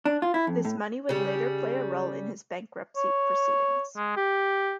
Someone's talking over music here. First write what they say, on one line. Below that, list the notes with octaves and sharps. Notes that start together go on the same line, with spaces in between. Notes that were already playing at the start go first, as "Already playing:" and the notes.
This money would later play a role in his bankruptcy proceedings.
D4
F4
E4
F2
A2
C#3 G3
C#5
G#3
G4